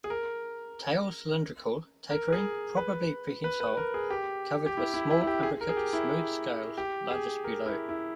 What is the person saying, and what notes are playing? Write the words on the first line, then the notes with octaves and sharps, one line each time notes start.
Tail cylindrical, tapering, probably prehensile, covered with small imbricate smooth scales, largest below.
G#4
A#4
A#4
G#4
B4
B4
B4
A#4
G#4
G4
G4
E4
E4
E4
E4
G4
G#4
A#4
G#4
G4
E4
G4
G#4
A#4
E4
E4